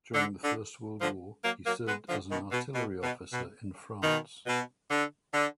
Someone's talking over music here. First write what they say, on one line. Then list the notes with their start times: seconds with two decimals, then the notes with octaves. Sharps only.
During the First World War, he served as an artillery officer in France.
0.15 D3
0.43 D3
1.01 D3 F3
1.43 F#3 A#3
1.65 F#3 A#3
1.87 G#3 B3
2.09 D3 F3
2.30 B2 D#3
2.52 B2
2.74 B2
3.02 B2
3.32 B2
4.03 B2 D#3
4.47 B2
4.90 D3
5.33 D3